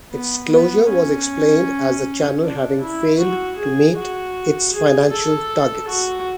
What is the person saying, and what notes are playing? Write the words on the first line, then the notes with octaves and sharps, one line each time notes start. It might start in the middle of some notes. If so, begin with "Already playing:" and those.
Its closure was explained as the channel having failed to meet its financial targets.
B3
B3
C#4
D4
E4
F#4
G#4
F#4
G#4
A4
F#4